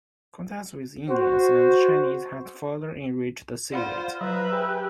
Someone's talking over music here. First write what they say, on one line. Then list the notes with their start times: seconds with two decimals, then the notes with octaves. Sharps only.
Contacts with Indians and Chinese has further enriched silat.
1.09 F#4 C5
3.72 F4 C5 D5 F#5 B5
4.21 F#3 B4 C5 E5 F5 A#5
4.52 G4 G#4 G5